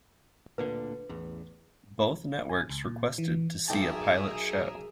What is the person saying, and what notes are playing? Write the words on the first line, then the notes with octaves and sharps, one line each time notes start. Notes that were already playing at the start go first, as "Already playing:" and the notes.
Both networks requested to see a pilot show.
D1 A#2 D3 B4
A1 E2
G#5
C#2
A#2
E3
B1 G#4 A#4 E5 G5 A5